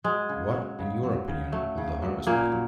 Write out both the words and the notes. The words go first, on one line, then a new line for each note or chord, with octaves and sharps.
What, in your opinion, will the harvest be?
F#3 G#3
C#3
F#3
C#3
F#3
C#3
F#3 A3
C#3
F#3
A#2 C#3 A#3
F#3